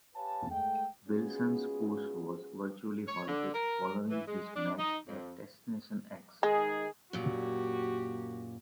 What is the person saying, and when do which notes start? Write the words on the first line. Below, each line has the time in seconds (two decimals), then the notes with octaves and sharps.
Wilson's push was virtually halted following his match at Destination X.
0.15 G4 B4 C#5 F5 G#5 A5
0.50 G#3 A3 G5
1.08 G#3 B3 C#4 F4 F#4 G#4
3.08 C#5
3.28 D3
3.54 A#4
4.10 E3
4.27 G#3
4.56 D4
4.79 D#4
5.08 F2
6.43 D#3 G#3 D#4 G#4
7.13 F#2 A#2 F#4 G4